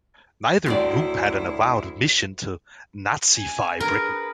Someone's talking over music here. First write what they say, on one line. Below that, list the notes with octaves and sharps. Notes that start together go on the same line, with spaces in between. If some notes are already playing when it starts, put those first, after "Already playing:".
Neither group had an avowed mission to Nazify Britain.
D2 A2 F#3 E4 C5 D5 C6
G#5
G#4 A#4 B4